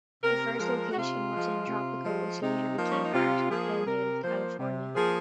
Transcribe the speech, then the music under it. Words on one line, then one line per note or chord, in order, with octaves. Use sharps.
The first location was in Tropico which later became part of Glendale, California.
C3 A#4
F3 G#3 A#4
F#4
C3 F4
F3 G#3
C3
F3 G#3
C3 D#4
F3 A#3
C#4
D#4
C3 F4
F3 A#3 G#4
C3 A#4
F3 A#3 C5
C3
F3 A#3 G#4